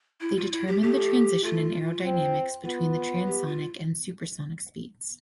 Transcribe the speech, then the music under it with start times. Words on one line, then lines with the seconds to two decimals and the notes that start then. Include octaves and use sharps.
They determined the transition in aerodynamics between transonic and supersonic speeds.
0.21 E4
0.37 F4
0.52 E4
0.67 G4
0.82 A3 G4
1.44 A3 F4
2.05 C4
2.65 B3 F4
3.26 G4
3.46 F4